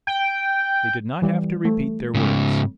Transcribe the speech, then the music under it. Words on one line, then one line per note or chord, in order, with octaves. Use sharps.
They did not have to repeat their words.
G5
E3 G3
A3
G#2 C#3